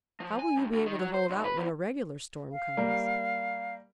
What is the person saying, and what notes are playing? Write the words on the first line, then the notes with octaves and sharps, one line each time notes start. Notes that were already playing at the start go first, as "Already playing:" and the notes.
How will you be able to hold out when a regular storm comes?
F3
G#5
G2
D2
D#3
F#3
C5
B1
B4
E2
F5
G3 A#3